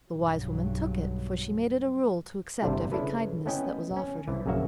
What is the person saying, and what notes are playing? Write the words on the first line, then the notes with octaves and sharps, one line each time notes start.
The wise woman took it, for she made it a rule to accept every kindness that was offered her.
B1 G2 F#3
G1 C3 G3 A3 D4 E4
C#3 D4 E4 A4 B4
A3 B3 C#4 E4 D#5 G5
C#4
C2 E3
A#1 F#2 C#3 A#3 F#4 E5